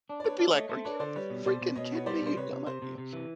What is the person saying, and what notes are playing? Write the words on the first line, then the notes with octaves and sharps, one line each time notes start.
they'd be like, "Are you f f freaking kidding me, you dumba" You know.
D4
D5
D4 B4 C#5
D4
A3 C#5 D#5
A3 C5
D4 B4 C#5
D3 C5 D5
G3 B4 C#5
B2
B2 C5 D5
B2
B2 C#5 D#5
B3 C#5
G3 C5 D5
B2 C5
C3 B4 C#5
C3
C3 C5
C3
C3
E3